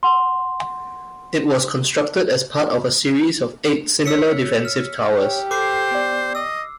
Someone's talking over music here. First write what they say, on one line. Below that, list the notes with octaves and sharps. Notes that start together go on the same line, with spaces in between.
It was constructed as part of a series of eight similar defensive towers.
F#5 C6
C#5 E6 B6 C#7
F6
G4 C#5
A4 C5 D6 C7
B3 D5
D#5 E6